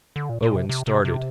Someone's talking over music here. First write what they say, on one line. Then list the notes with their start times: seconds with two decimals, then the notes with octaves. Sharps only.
Owen started.
0.16 D3
0.29 A#2
0.43 A#2
0.56 C3
0.69 C3
0.87 C3
1.05 C3